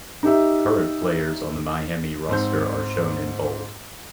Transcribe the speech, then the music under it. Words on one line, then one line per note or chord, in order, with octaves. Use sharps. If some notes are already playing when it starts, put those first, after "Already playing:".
Current players on the Miami roster are shown in bold.
D#4 G4 E5
G#2 C4 G6